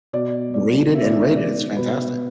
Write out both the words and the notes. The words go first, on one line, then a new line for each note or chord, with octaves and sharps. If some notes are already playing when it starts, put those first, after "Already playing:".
rate it and rate it, it's fantastic.
B2 D5
D5
B2 E5
D5
E5
D5
B2 B4